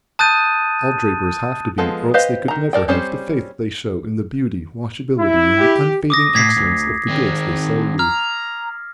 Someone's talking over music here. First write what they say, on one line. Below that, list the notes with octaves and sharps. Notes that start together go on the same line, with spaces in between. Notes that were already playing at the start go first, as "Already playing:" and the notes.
All drapers have to be, or else they could never have the faith they show in the beauty, washability, and unfading excellence of the goods they sell you.
A5 D#6 F#6 G6 A6 D#7
F3 G#3 B3 A4
G4 B4 C5 D#5 F5
D#3 A#5
A4 A#4 D5 G5
G3 C4 C#4 C5 D5
E4
G4
D6 D#6 A#6
A2 G#6 B6 C7
D2
D#3 C4
A#5 F6